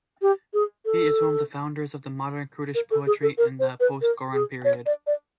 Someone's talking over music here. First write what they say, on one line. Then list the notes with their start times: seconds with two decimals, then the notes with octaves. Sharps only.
He is one of the founders of modern Kurdish poetry in the post-Goran period.
0.22 G4
0.54 G#4
0.85 A4
2.75 A#4
2.91 A4
3.07 G#4
3.22 A4
3.38 A#4
3.60 C5
3.80 B4
4.02 A#4
4.33 G#4
4.65 C#5
4.86 D5
5.07 D5